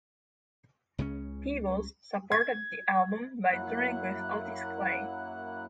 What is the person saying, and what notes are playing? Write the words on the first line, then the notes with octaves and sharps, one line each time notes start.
Peebles supported the album by touring with Otis Clay.
C#2 C#3 E3 C#4
G#6
F#2 F#3 A#3 E4 F#5 F#6